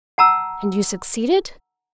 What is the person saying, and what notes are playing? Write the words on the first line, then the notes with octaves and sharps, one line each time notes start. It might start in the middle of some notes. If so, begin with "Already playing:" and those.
"And you succeeded?"
F#5 A5 A#5 E6